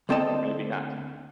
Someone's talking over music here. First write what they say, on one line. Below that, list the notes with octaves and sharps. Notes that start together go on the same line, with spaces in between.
but maybe not.
D2 A#3 C4 A4 D#5 A5